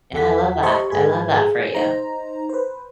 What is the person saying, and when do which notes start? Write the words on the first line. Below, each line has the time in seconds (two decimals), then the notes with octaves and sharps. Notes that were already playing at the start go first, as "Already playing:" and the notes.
Yeah, I love that. I love that for you.
0.13 E2 A4 F#5 B6
0.63 G4 C5 D#5 E5 C6 C#6
0.90 G#2 G#4 B4 B5 G#6
1.33 G#4
1.74 D#4 C5 A#5
2.49 B4 C5